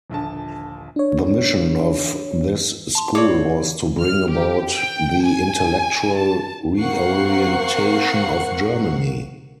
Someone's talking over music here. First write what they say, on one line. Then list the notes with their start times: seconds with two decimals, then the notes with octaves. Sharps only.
The mission of this school was to bring about the intellectual reorientation of Germany.
0.10 D#1 A#1 D3 A5
0.96 D4 C#5
2.95 A5 C6
3.15 G#4 C#5 D5 D6
4.00 F6
4.30 G4
4.74 G5
5.24 G#5
6.16 A5
6.80 A#3 C4 A#4 F#5 C#6 C7